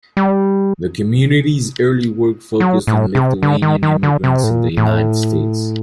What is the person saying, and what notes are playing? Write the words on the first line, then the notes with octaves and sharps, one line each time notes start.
The community's early work focused on Lithuanian immigrants in the United States.
G3
F#3
A2
C3
D3
D#3
D#3
D3
C3
A2
A#2
A2